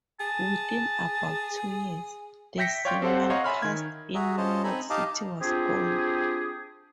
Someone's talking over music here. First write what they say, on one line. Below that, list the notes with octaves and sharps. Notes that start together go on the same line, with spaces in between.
Within about two years, the simulcast in New York City was gone.
G#4 A5
E5 G5 G6 A#6 B6 C#7
C#5 D5 F5 G5 C6 G6
C4 G4 A4 C5 F5 F#5
C#5 D#5 F5 F#5 A#5 C6
E5 G#5 B5 C6 F6
D#3 G#6
F#4 G#4 E5 A#5
C#4 F4 C5 D#5 A5
C4 D#4 A4 G#5 A#5 B5
D#4 G4 D#5 F5 A5 D6
C4 D4 F4 G4 G#4